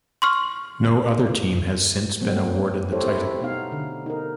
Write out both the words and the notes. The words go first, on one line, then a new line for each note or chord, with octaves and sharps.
No other team has since been awarded the title.
C6 C#6 F6
C3 F#3 A3 B3 C4
E4 G4 A4 C5 C#5
C4 E4 C5
B2 B3 D#4 F5
D3
D#4 A#4